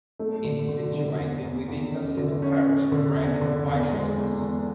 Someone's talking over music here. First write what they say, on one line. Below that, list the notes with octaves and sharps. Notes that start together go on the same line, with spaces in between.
It is situated within the civil parish of Brandon and Byshottles.
A3
D3
D3
D3
E2
E2
E2
C#4
D3
C#4
C#4
D3
E2
D3
E2
G#3
E2
E2